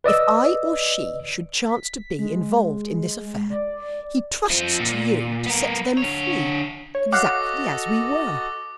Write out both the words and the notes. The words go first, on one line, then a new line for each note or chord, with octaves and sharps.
If I or she should chance to be Involved in this affair, He trusts to you to set them free, Exactly as we were.
B4 D5 D#5 E6
B6
G#3
D5
F3 C4
A#2
B3 A#4
D3 C#5
C#5
F#4 A4 D#5 F5 F#5 D6